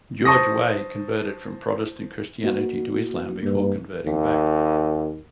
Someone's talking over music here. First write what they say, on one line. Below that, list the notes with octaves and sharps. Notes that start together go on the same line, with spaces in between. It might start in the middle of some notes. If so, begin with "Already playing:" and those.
George Weah converted from Protestant Christianity to Islam, before converting back.
C5 A5 C#6 D#6 A#6
A#3 F#4
G2 A#3
D#2